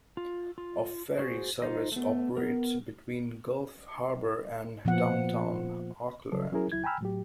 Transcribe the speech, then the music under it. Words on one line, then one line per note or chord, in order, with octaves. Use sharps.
A ferry service operates between Gulf Harbour and downtown Auckland.
F4
F4
F#4 G#4 C5
D#4 F4 C5 D#5
A3 B3
B3 A#4
A#2 F3 B3 F#5
C#3 F#3 A4
F#3 C#4 E4 G#4 A#4
C#2 F#3 E4 G#6
G5 G#5 A#5 B5 E6 F6
A2 F#3 G4